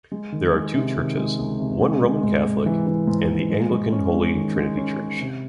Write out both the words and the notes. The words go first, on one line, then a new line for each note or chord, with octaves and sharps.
There are two churches, one Roman Catholic, and the Anglican Holy Trinity Church.
G#3
D#3
G#3
C3
D#3
G#3
C#2
C3
G#3
G#3
G#2
G#2
E3
E3
G#2
G#2
G#3
G#3
C#4
G#3
D#3
G#3
C#4
C#4
C3